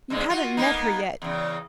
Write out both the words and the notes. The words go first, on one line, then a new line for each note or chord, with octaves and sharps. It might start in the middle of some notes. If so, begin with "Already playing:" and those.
"You haven't met her yet."
G2 C3 G#3
F4 F#4
A#3 B3 D#4
E2 C#3